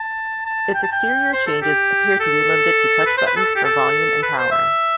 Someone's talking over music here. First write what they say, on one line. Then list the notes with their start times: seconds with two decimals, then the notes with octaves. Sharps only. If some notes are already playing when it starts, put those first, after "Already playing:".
Its exterior changes appear to be limited to touch buttons for volume and power.
Already playing: A5
0.46 A5
0.75 G5
0.83 A5
0.92 G5
1.33 C5
1.47 A4
1.62 G4
2.20 A4
3.06 B4
3.18 C5
3.27 B4
3.36 A4
3.56 G4
3.65 A4
4.23 B4
4.38 C5
4.52 E5